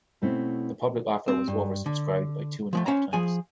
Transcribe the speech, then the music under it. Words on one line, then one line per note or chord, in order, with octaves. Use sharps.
The public offer was over-subscribed by two and a half times.
B2 A3 C4 C#4 E4
C4
G2
D3
F3 G#3 A3
C#4 C5 A#5
F3 G#4 G#5